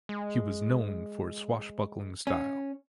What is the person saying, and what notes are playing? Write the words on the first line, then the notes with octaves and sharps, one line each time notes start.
He was known for his swashbuckling-style.
G#3
C#4